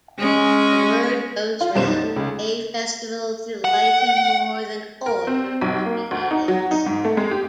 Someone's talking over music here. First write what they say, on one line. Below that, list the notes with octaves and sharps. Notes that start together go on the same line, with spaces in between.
The word goes round: 'Gay festivals delight him more than all your gloomy edicts.
G#3 C#4
F4
B1 F#2 G3 C5 C6 E7
D#4
A3
C#2
F#5
A#4
C4
B1
A#3
D2
D#4
F#3
D#4
G#2
A3
G#3
G4